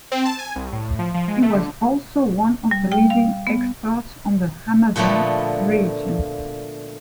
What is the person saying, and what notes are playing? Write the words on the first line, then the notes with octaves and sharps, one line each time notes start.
He was also one of the leading experts on the Amazon region.
C4
A5
G#5
C2
A2
A2
F3
F3
G#3
A3
D3
G3
G5
F5
B3
A#2 D3 F3 A3 B3